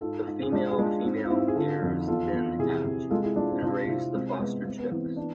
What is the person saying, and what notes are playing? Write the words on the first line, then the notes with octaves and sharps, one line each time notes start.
The female-female pairs then hatch and raise the foster-chicks.
G#2 F4 A4
G#2
G#4
G#3 D4 F4
G#4
G#3 D4 F4
G#2 C4
F4
G#2 C4 E4
G#4
D3 F4 A4
F2
E2 F4 A4
E2
C3 E4 G#4
C3
G#3 F4 A4
E4 G#4
G#3 D4 F4
C4 E4
C3 D4 F4
F4
C3 C4 E4
G#3 C4
G#3 B3
G#3 C4
B3
E3 C4
C4
B3 D4